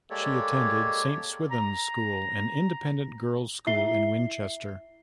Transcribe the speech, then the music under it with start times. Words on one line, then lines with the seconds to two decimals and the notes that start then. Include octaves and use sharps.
She attended Saint Swithun's School, an independent girls' school in Winchester.
0.10 G#3 A#3 G4 A4 C#5 D5
1.51 A#5
3.67 E4 E5 C7 G7